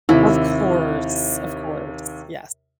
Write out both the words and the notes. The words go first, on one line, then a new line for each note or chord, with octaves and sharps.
Of course. Of course. Yes.
D#2 C3 E4